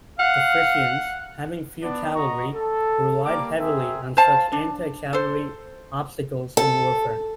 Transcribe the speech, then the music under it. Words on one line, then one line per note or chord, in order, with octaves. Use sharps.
The Frisians, having few cavalry, relied heavily on such anti-cavalry obstacles in warfare.
F5 F#5
B3 D4
F#4 D#5 A#5 C#6
A4
G3 A#3 A#4 D5 D6
C4 G#4 A#4 E5
C5 F5 A5
D4
A4 C5
A4